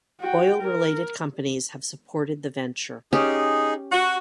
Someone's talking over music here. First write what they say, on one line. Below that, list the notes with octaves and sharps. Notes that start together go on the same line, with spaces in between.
Oil related companies have supported the venture.
F#4 G5
A#4
C#4 D#4 G4 G#4
F#4 F#5